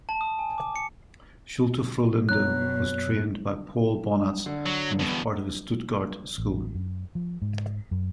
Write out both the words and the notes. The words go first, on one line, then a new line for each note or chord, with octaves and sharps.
Schulte-Frohlinde was trained by Paul Bonatz and was part of his Stuttgart school.
A5
D#6
G#5
D6
C#7
F#2 B2 C#5 A#5 F#6
D3
F#3
E2 B2
A1
F#2
F3
G#2
F#2